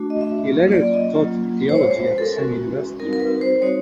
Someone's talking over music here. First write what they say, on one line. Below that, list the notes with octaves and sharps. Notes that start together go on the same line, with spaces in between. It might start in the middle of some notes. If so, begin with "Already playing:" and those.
He later taught theology at the same university.
Already playing: A3 D4 F#4
D#5
E5
F#3 A#3 C#4 F4
D5
D#5
F#3 A#3 C#4 F4
C5
G#3 C#4 F#4 C#5
C5
B4
A4
A#4
G#3 C#4 F#4
G3 C4 D#4 F#4 A#4
A#4
B4
C5
G3 C4 D#4 F#4 C#5